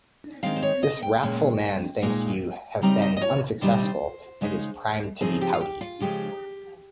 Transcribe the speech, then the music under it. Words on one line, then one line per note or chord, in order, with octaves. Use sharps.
This wrathful man thinks you have been unsuccessful, and is primed to be pouty.
D#3 G#3 C4 D#4 F5
C5
C#5
D#5
G5
A#2 G#3 C#4
A#2 G#3 D#4
C#3 G3 C4 D#4 A#5
D#5
D#5
C#5
C3 D#3 G3 C4 D#4 C5
C#3 G#3 D#4
C#3 F3 C4 D#4 G#4
G4
F4
G4
F4
C#3 F3 G#3 C4 G4